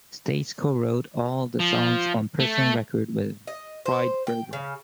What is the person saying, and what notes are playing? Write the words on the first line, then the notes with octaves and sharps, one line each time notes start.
Stace co-wrote all of the songs on Personal Record with Friedberger.
F3
A3
D#5
C5
G5
C#3